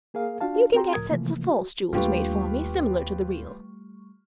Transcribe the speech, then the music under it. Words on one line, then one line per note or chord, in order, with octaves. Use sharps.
You can get sets of false jewels made for me, similar to the real.
A#3 G#4 A#4 F5
D4 F4 F#4 F5 A5
C4 F#4 G#4 G5 A#5 C6
C#2 A2 F3 A#4 D#6 G#6
C3 E3 F3 A3 A#3
F#4
D#2 G3 A3 D4 F4 G4 B4 C#6